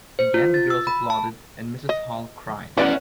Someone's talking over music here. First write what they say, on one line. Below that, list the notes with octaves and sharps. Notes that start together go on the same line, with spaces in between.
Again the girls applauded, and Mrs Hall cried.
C5
F4
A6
E6
B5
A5
D#5
E3 B3 C#4 E4 B4 D5 F#5